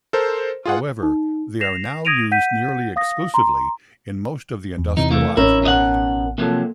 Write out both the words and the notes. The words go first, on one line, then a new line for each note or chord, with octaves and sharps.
However, they are now used nearly exclusively in most of the industrialized world.
A4 A#4 C5
F4 G#4 F#5
D#4
A#6 C7 E7 F7
D#6 G#6 A#6 D7 D#7 F7
F#5 G6 B6 D#7
F5 D#6 A#6
A#5 C6
E2
E2 C3 E3 D#4
A3 A#3
A1 C#4 D#4 E4 A#4
B2 D#5 F#5
C3 F3 F#3 A#3 A4